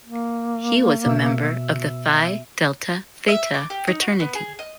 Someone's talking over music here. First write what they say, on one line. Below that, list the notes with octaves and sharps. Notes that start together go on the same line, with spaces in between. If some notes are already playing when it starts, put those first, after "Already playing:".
He was a member of the Phi Delta Theta Fraternity.
A#3
B2 E5 E6
E5
D6
G4
D#4
F#4
B3
G#4
D#5